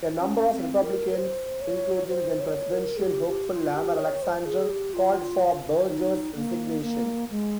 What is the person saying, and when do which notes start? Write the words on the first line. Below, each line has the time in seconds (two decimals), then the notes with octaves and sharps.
A number of Republicans, including then presidential hopeful Lamar Alexander, called for Berger's resignation.
0.20 C#4
0.51 C4
0.83 A#4
1.11 A#4
1.15 C5
1.61 C#5
2.09 C5
2.40 C#5
2.72 A#4
2.97 G#4
3.04 G4
3.28 G4
3.52 F4
3.75 G4
3.98 C#5
4.22 C5
4.45 G#4
4.70 G4
4.94 F4
5.88 D#4
6.35 A#3
6.82 A#3
7.30 G#3